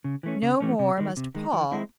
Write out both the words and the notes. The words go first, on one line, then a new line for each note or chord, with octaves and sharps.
No more must Paul.
C#3
E3 A3 C#4
C#3
E3 A3 C#4
C3
D#3 G#3
C3
D#3 G#3
E3
G#3 C4 E4